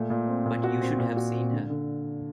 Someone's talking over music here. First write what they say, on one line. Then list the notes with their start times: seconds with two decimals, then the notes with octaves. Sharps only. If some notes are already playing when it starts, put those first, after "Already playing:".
But you should have seen her!
Already playing: A#2 A3
0.10 A#2
0.28 C4
0.46 A#2
0.64 F#4
0.81 C4
0.99 A#2
1.17 F#4
1.35 C4
1.52 D3
1.70 D3